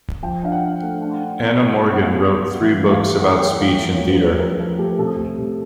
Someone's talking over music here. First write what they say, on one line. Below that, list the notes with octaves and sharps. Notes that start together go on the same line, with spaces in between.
Anna Morgan wrote three books about speech and theatre.
F3 G5
D4 F5
F#5
D4
A3
D4
D4
B3
F#3
F#3
F#5
B3 F5
F#3
F#3
E3 E5
E3
F5
A3
A3 F#5
A3 G5
E3 F5
F3
C#5
A3
B4
C#4 B4
F3 A#4
F3
A3 G4
A#4
C3 A4
A3
C3